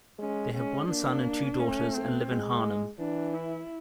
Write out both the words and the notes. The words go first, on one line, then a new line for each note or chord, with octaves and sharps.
They have one son and two daughters and live in Harnham.
G#3 C#4
G#3 C#4
A#3 D4
A3 C#4
C4
G#3
E3 D4
E4